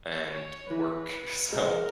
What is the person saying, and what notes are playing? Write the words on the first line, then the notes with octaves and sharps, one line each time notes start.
and work, so
C#5
E3 B4
G#3 A#4